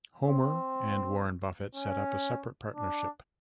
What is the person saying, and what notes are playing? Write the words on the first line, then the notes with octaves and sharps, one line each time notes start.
Homer and Warren Buffett set up a separate partnership.
C4
C#4
D4